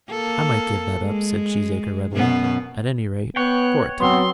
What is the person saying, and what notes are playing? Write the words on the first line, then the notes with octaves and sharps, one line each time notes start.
"I might give that up," said Cheesacre readily,--"at any rate, for a time."
A#3 A4
G#3
F#2 B2 B3
B3 C#5 G5 F#6
F#3 B3 C4 C6